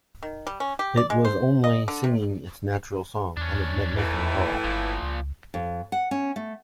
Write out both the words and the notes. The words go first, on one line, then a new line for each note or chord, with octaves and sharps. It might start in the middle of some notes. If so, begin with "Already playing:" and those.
It was only singing its natural song, and it meant nothing at all.
D#3
G3
C#4
G4
D5
G#3
C5
D#5
D3
C3
E2 C#4 D4
D#2 A2 E3
G1 A#2 F3
C#2
F2
F#5
C#4
A3